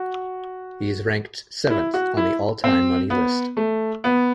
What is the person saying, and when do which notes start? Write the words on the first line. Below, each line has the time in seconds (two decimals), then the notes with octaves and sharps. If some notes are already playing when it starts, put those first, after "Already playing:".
He is ranked seventh on the all-time money list.
Already playing: F#4
1.70 E4
1.94 F#4
2.17 E4
2.64 C4
3.10 B3
3.57 A3
4.04 B3